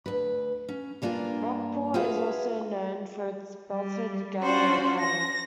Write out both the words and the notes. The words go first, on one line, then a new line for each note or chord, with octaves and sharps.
Rockport is also known for its Belted Galloway cattle.
D2 B4
C#4
G2 A#3 D4 F4 G#5
F4 F#4 G#4 B4 E5 F5
G3
C#4 D4 F4 F#4 C5
A#6